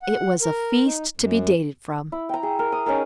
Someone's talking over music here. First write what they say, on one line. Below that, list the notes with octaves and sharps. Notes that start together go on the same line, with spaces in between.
It was a feast to be dated from.
F#5
A#4
D#4
F#2
E4
G5 A#5
G#4
A#4
D#6
C#4 D#4 G#4 A#4